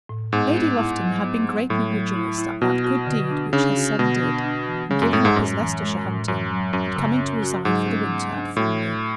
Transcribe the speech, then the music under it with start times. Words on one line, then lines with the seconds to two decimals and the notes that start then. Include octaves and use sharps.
Lady Lufton had been greatly rejoiced at that good deed which her son did in giving up his Leicestershire hunting, and coming to reside for the winter at Framley.
0.09 A2
0.33 G#2 B3
0.56 B3
0.79 E4
1.01 F#3
1.24 B3
1.47 B3
1.70 A2 F#3
1.93 F#3
2.16 E4
2.38 E4
2.62 B2 F#4
2.84 F#4
3.07 D3
3.30 D4
3.53 C#3 D4
3.76 F#4
3.99 B2 D3
4.22 D4
4.44 D4
4.67 E3
4.90 C#3 G#3
5.02 F#2
5.13 A2 G#3
5.25 G#2
5.36 F#2 A2
5.59 E3
5.82 G#3
6.05 A2
6.28 F#2 C#4
6.51 F#3
6.73 F#2 C#4
6.96 C#3
7.19 C#4
7.43 F#4
7.65 G#2 F#3
7.88 C#4
8.11 B3
8.33 D4
8.56 A2 F#4